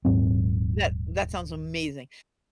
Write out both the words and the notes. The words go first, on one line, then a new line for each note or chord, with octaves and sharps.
That that sounds amazing.
D#1 G#2 F#3 C4